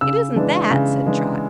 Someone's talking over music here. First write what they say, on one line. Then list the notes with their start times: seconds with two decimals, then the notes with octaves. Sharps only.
"It isn't that," said Trot.
0.01 C#3 E6
0.36 E3 G#3 D4
0.71 C#3
1.06 E3 G#3 D4